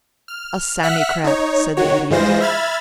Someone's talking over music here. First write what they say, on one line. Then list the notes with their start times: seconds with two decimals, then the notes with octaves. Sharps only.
"A Sammycrat," said the Idiot.
0.28 F6
0.83 E5 F#5 F6 F#6 B6
1.24 D#4 C#5
1.77 D#3 F#4 C#5
2.10 G2 E3 G#3 F4 C5 A#6
2.41 E5 B5 F6 G#6 A6